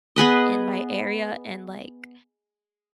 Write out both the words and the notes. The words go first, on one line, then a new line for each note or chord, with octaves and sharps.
in my area, and, like,
B3 G#4 B4 D#5